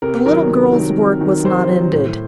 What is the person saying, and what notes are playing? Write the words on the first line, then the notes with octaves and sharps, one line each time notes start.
The little girl's work was not ended.
C3 A#4
D#3 F#3 A#4
C3
D#3 F#3
C3
D#3 F#3
C3 C5
D#3 F#3
A2